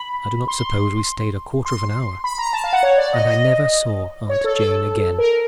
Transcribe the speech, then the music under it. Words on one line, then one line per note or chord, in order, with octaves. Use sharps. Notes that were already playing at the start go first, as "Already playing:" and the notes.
I do not suppose we stayed a quarter of an hour; and I never saw Aunt Jane again.'
Already playing: B5
C6
C6
B5
A#5
A5
F5
F#5
C#5
D5
D#5
D#5
C#5
A4
A4
A#4